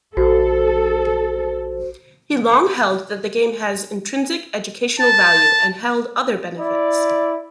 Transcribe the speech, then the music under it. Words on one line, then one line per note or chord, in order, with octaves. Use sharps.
He long held that the game has intrinsic educational value and held other benefits.
A#1 F#4 A4 C5
A5
E4 D5